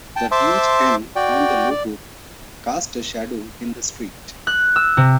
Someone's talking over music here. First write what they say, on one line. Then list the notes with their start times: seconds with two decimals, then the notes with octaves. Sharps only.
The huge N on the logo cast a shadow in the street.
0.16 G5 A5
0.32 C5 E5 A5 C6 D6 E6
1.16 F#4 D5 G5
1.70 D5
4.47 F#6
4.76 E6
4.97 C3